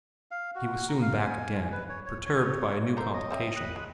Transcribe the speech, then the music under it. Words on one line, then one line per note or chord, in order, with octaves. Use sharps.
But he was soon back again, perturbed by a new complication.
F5
F#4
A#5
F5
G#5
B4
C#5
C#5
C#5
A3 A#4 C5
C#5 D#5
G3 C4 E5
B5 D#6 F#6
G#3